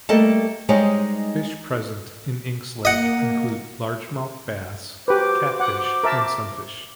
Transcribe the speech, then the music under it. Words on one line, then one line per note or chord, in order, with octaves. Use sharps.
Fish present in Inks Lake include largemouth bass, catfish, and sunfish.
G3 A3 A#3 A4 D#5 A5
G3 G#3 D#4 G4 C5 C#5
A#3 D#5 F#5
F#4 G4 B4 C5 D6
F#5
A#4 E5 A5